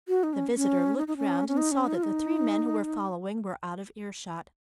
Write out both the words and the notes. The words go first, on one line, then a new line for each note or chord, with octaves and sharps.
The visitor looked round and saw that the three men who were following were out of ear shot.
F#4
D#4
C#4
C#4
D#4
D#4
C#4
C#4
D#4
C#4
D#4
F4
D#4